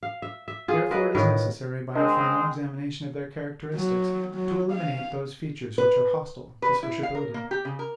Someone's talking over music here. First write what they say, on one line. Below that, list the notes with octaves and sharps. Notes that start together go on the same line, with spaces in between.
Therefore it is necessary, by a final examination of their characteristics, to eliminate those features which are hostile to sociability.
F5
E5
E5
F4 G#4
F4 A#4 B4 D#5
A2 D#3 A#4 B4
G#3 C4 D4 A#4 D#5
F#3
F#3
F5
B4
B4
E4
F5
A#4
A#3
G4
C#3
A#4